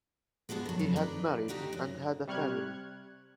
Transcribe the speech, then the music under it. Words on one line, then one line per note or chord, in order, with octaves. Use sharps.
He had married and had a family.
G#3 B3 D4 E4 G#4
A#2 F#3
F2
D4 D#4 B4 D5
D2 D#4 F#4 G4 D5
F#2
C3 G3 C#6 F6 F#6 G#6